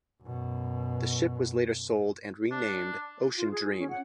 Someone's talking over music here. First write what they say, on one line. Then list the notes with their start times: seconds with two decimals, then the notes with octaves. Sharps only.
The ship was later sold and renamed "Ocean Dream".
0.23 F#2 B2
2.51 D4
3.35 F4
3.51 G#4
3.78 C#4
3.89 F#5